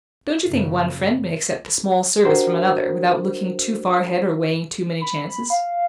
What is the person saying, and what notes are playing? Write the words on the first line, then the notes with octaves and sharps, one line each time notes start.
Don't you think one friend may accept a small service from another without looking too far ahead or weighing too many chances?
F#1 C#3
D4 F#4 G4 A#4 C5
B5
F5